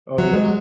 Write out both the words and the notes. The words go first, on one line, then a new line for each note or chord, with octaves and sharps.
Oh, yes.
F#3
G#3